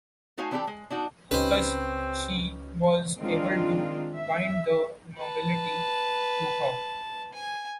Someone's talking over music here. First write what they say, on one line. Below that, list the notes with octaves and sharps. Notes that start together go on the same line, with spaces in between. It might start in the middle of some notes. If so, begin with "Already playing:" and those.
Thus she was able to bind the nobility to her.
A3 D#4 F#4 C5 F5 G#5
E3 C4 D4 F#4 G4 A4
G#3
D4 D#4 F#4
C#2 C4 C#4 D#4 G4 B4 C5
D#3 G#3 C4 D4 F4
E5
B4 A5
G#5